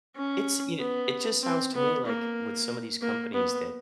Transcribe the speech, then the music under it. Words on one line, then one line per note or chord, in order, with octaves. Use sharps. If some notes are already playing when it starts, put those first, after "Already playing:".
It's you kn it just sounds to me like with some of these companies that, uh,
C#4
B3
C4
B3
A#3
A#3
B3